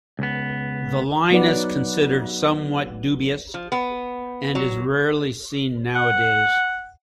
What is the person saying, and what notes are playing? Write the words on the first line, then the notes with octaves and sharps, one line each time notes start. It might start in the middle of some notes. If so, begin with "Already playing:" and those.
The line is considered somewhat dubious and is rarely seen nowadays.
C#2 B3
F#3 B3 D#4 B4 D5 F#5
F3
B3
F#3
F#5